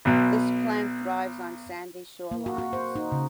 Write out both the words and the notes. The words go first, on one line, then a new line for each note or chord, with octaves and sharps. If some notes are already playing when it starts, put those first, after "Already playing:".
This plant thrives on sandy shorelines.
B1 B2
A#3
F#4
F#4
C5
D#4
C#3